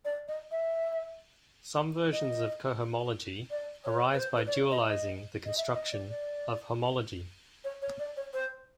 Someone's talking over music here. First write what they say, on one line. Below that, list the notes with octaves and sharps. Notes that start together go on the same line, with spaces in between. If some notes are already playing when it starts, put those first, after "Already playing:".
Some versions of cohomology arise by dualizing the construction of homology.
D5
D#5
E5
D#5
D5
C#5
B4
C5
B4
D5
C#5
D#5
D#5
D#5
E5
D#5
D5
D5
C#5
C#5
D5
C#5
C5